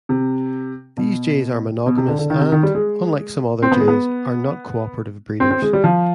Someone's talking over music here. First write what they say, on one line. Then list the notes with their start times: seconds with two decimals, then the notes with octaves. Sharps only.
These jays are monogamous and, unlike some other jays, are not cooperative breeders.
0.09 C3
0.97 B2
1.86 B2
1.97 C3
2.08 D3
2.19 D3
2.30 D#3
2.40 C3
2.52 D#3
2.63 G3
2.75 G#3
3.62 C4
3.72 B3
3.80 G#3
3.88 B3
5.40 C4
5.51 C4
5.62 G#3
5.73 G3
5.84 F3